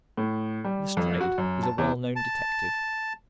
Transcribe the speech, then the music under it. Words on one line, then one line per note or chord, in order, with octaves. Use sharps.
Lestrade is a well-known detective.
A2
G3
F2
F#4
F#2
A5
E2
A5